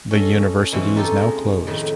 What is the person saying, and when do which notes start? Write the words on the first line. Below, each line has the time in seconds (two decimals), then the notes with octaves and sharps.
The university is now closed.
0.11 C#4 A4 D#5
0.72 B2 E3 C4 C#4
0.96 D#4 F4 G4 A4
1.19 G#3
1.67 F2 A2 D#3